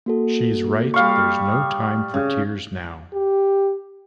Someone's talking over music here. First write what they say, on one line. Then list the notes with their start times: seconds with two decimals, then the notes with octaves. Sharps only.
She's right; there's no time for tears now.
0.06 A#3 F#4 A4
0.94 G3 F5 C#6
1.52 D#6
2.14 C#3
3.13 G4